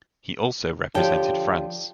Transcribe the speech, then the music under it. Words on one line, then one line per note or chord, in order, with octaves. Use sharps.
He also represented France.
D2 F3 G4 C#5 G5 A5